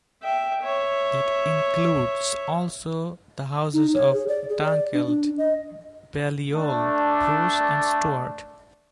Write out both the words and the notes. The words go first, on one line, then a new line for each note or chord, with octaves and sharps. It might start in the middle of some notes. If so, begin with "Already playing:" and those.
It includes also the Houses of Dunkeld, Balliol, Bruce, and Stewart.
E5 G5
C#5 E5
D#4
C#5
G#4
D5
G#4
D5
D4
D4
D#5
A3 D4